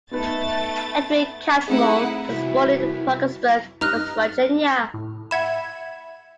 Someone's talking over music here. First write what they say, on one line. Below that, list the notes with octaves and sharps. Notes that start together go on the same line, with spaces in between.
Edwin Catmull was born in Parkersburg, West Virginia.
A3 B3 D#4 B4 A6
A3 C4 D#4 E4 G#4 F#5
C2 E3 E4 F#4
G2 D#4 A#5 F6 F#6 A#6
A2
E5 F#5 B5 G#6 E7